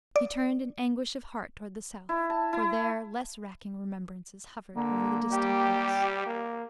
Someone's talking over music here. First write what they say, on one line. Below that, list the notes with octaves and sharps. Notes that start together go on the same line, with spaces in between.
He turned in anguish of heart toward the south, for there less racking remembrances hovered over the distant hills.
D5
E4
A5
E4
D3 A#3
G3 G4
A#3